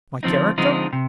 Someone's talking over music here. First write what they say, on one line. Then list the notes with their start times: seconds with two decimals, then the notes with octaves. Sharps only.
"My character?"
0.23 D3 F3 G#3 C4 D#4
0.58 D3 F3 G#3 C4 D#4
0.93 C3